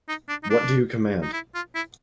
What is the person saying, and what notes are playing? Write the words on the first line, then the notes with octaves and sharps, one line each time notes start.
What do you command?
D#4
D4
D#4
D4
D#4
E4
F4
E4